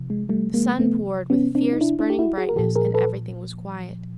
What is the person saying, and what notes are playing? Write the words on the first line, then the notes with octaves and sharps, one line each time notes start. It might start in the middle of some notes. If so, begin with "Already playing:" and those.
The sun poured with fierce, burning brightness, and everything was quiet.
Already playing: C3 F3
G#3
G3 A3
G#3 A#3
A3 B3
B3 C#4
C4 D4
D#4
D4 E4
D4 E4
G4
E4 F#4
F#4 G#4
A#4
A#2 F3 G4 A4
G#4 A#4
A4 B4